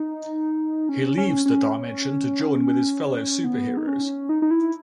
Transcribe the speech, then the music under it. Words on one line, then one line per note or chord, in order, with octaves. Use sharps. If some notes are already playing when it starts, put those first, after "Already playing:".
He leaves the dimension to join with his fellow superheroes.
Already playing: D#4
C#4
C#4
C#4
B3
D#4
C#4
D#4
D#4
E4